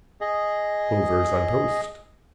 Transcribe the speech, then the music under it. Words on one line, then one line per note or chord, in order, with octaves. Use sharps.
Plovers on toast.
G#4 D#5